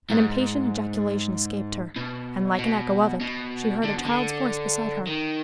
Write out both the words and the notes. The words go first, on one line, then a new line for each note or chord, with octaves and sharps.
An impatient ejaculation escaped her, and like an echo of it she heard a child's voice beside her.
G#2
B2
B2
B2
D3
B2
D3
D#3